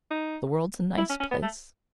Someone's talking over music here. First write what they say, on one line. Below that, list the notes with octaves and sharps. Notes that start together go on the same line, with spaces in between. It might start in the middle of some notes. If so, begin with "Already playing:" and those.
The world's a nice place.
D#4
E4
C#4
C#4
B3
A3